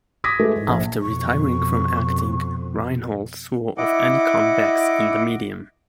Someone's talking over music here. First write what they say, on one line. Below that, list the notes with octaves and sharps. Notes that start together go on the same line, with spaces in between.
After retiring from acting Reinholt swore off any comebacks in the medium.
D6 D#6 G#6 A#6 B6
G#3 A3 B4
G#2
A#1
F2 B2 C#6
E4 D#5 F#5 D6